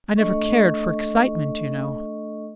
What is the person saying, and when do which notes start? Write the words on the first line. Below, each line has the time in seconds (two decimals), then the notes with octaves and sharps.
I never cared for excitement, you know.
0.17 A3 D4 A4 D#5 C#6